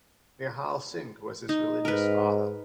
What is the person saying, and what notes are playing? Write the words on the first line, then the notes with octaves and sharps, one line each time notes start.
Nihal Singh was his religious father.
D#4
G#2 A#4 B4